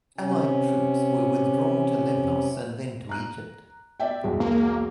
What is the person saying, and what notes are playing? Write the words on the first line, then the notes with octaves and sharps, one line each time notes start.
Allied troops were withdrawn to Lemnos and then to Egypt.
C3 C#4
A#5 F#6
D5 E5 G5
B1 E2 G#3
A#3